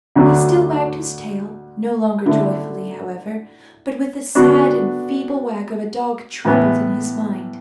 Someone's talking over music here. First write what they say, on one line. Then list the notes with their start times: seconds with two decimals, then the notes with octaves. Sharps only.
He still wagged his tail--no longer joyfully, however, but with the sad and feeble wag of a dog troubled in his mind.
0.16 D2 D3 F#3
2.26 D3 A3 E4 A4
4.35 D3 B3 D4 F#4
6.45 A2 E3 B3